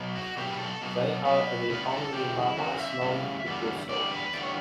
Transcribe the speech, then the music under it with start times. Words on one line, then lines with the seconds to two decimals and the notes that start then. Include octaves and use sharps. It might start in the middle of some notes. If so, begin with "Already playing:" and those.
They are the only mammals known to do so.
Already playing: B2 F#3 B3
0.16 F#4
0.37 B2 F#3 B3 G4
0.53 B4
0.59 A4
0.82 B2 F#3 B3
1.25 B2 F#3 B3 B4
1.69 E2 C#3 G3 B3 B4
1.91 A4
2.13 E2 C#3 G4
2.35 E4
2.57 E2 C#3 F#4
2.79 E5
3.01 E2 C#3 G3 B3
3.46 E2 D3 G3 B3
3.89 E2 D3 G3 B3 D5
4.11 B4
4.33 E2 D3 G3 B3 D5
4.42 C#5